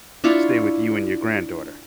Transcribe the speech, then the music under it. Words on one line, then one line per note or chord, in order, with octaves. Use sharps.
stay with you and your granddaughter?
D4 E4 F4 C#5